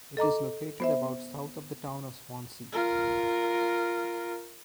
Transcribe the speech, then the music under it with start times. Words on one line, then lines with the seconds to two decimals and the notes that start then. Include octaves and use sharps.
It is located about south of the town of Swansea.
0.17 A4 D#5 A#5 D6
0.80 B3 C5 E5
2.72 F4 A#4